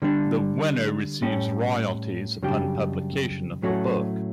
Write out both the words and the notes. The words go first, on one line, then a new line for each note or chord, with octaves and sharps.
The winner receives royalties upon publication of the book.
D3 G3 D4
A2 G3 C#4
F#2 C#3 G3 D4 G4
A2 F#3 A3 C#4 F#4